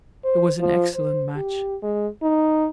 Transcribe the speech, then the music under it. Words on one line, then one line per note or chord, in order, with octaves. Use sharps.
It was an excellent match.
C5
F3
C5
G4
G#3
D#4